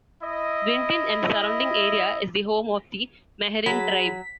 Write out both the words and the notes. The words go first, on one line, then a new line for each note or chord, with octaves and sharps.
Winton and the surrounding area is the home of the Meherrin Tribe.
E4 D#5
F#3 G#4 B5 B6